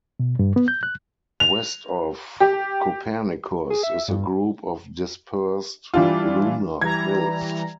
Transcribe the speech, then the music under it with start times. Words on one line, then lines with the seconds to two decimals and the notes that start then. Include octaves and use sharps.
West of Copernicus is a group of dispersed lunar hills.
0.20 B2
0.39 G2
0.56 B3
0.68 G6
0.83 F#6
1.40 F7
2.40 G4
3.70 G#4
3.83 E5
4.08 G2
5.94 E3 G3 D4 F4
6.81 E3 G3 A#5 G#6